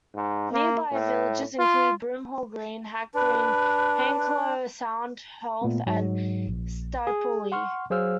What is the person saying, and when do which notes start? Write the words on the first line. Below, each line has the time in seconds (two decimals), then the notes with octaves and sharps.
Nearby villages include Broomhall Green, Hack Green, Hankelow, Sound Heath and Stapeley.
0.15 G#2
0.52 A#3
0.92 A2
1.59 F4
3.14 D4 B4
5.62 A#2 A3 B3
5.87 G#2 F#3
6.47 A#1
7.07 G#4
7.52 F#5 C6 C#6 F6
7.90 F#3 G#4 C5 F5 E6 F6